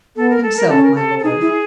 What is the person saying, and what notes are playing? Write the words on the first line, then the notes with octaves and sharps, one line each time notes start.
"Himself, my lord."
B3 A4
A#4
A4
A#4
C#4 A4
A#4
A4
A4
D#4 G#4
E4